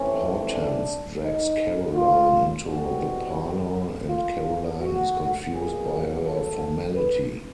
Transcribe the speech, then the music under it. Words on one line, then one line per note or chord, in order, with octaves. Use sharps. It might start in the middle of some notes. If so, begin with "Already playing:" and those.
Hortense drags Caroline into the parlour and Caroline is confused by her formality.
Already playing: G2 E3 A3 C4 C#4
D4
D#4
F4
E2 B2 G3 C4 F#4
F4
F#4
E2 B2 F#3 A#3 G#4
A4
B4